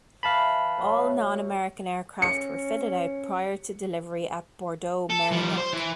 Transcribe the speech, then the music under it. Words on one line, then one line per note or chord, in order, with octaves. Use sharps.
All non-American aircraft were fitted out prior to delivery at Bordeaux-Merignac.
E3 B4 F5 A5 B5
A2 F#3
C#4 C#7
A4
F3 G3
C5
E3